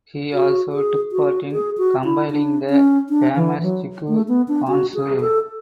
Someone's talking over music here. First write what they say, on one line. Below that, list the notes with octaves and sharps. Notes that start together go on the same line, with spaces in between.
He also took part in compiling the famous "Siku Quanshu".
F#4
G#4
F#4
G#4
F#4
E4
D4
C#4
D4
E3
F#3
A3
B3
D4
F#4
G#4
A4